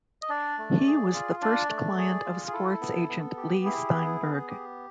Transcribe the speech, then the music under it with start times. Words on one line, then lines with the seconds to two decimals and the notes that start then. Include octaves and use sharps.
He was the first client of sports agent Leigh Steinberg.
0.22 D#5
0.29 D4 D5
0.58 A3
0.86 G#4
1.14 F4
1.42 D4 D5
1.69 A3
1.98 G#4
2.25 F4
2.47 G#4
2.53 E4 A4
2.81 B3
3.09 B3
3.37 G4
3.65 E4 G#4
3.92 B3
4.21 B3
4.49 G4